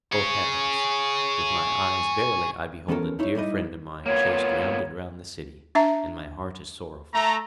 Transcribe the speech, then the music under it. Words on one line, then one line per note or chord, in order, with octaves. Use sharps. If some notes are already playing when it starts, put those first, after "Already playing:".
'O heavens! with my eyes verily I behold a dear friend of mine chased round and round the city, and my heart is sorrowful.'
G#4 C#5
E3 B3 C#4 E4 A4 A#4
D#4 E4 C#5
G3 D#4 E4 D#5
A#3 B3 F4 C#5
D4 E5 A#5
A3 A#5